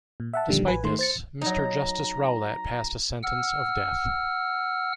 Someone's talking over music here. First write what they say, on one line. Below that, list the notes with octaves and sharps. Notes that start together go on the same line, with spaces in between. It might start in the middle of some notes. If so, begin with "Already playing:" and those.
Despite this, Mr. Justice Rowlatt passed a sentence of death.
A#2
E5 F#5 A5
A#2 D3 D#3 F3 G3
A1 B4 G#5
D#3 A3 C6
C5 A6 C#7
F#3 D#4 A#5
F#5 E6 F6